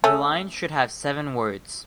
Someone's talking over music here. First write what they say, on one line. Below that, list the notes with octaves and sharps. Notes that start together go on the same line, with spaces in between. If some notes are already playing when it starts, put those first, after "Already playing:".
The line should have seven words.
A3 C#4